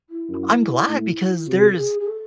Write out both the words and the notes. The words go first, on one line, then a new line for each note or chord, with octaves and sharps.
I'm glad because there's
E4
F#2
A2
C3 F#4
A4
G#4
G#4
A4